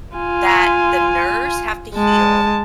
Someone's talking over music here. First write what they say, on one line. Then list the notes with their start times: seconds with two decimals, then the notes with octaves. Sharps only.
that the nerves have to heal
0.16 F4 G#5
1.95 G#3 A5